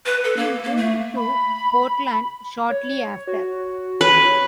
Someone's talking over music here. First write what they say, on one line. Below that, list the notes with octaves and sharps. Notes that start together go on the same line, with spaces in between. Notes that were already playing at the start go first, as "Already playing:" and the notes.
He moved to Portland shortly after.
B4
A4
A#3
A#3
A3
B5
C#5
F#4
B4 C#5